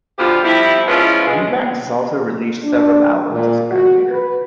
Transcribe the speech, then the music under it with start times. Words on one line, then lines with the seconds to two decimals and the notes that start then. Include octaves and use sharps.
Eubanks has also released several albums as a bandleader.
0.19 B2 D3 F3 G3 F4 G4
0.44 F3 G3 C4 E4
0.88 F3 G#3 B3 C#4 E4 F4
1.27 G#3
2.63 D4
3.30 A#2
3.70 F#4
4.11 B4